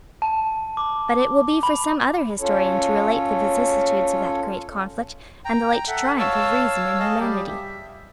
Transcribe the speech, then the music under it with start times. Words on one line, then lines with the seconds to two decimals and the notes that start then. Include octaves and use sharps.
But it will be for some other historian to relate the vicissitudes of that great conflict, and the late triumph of reason and humanity.
0.22 A5
0.77 D6
1.63 B5
2.41 C#4 F4 A4 C#5
5.45 G5 A#5
5.88 A4 E5 F#5
6.19 C#5 F5 A5 E6
7.00 G#4 D#5 F5 A5
7.20 G3 G4
7.48 E5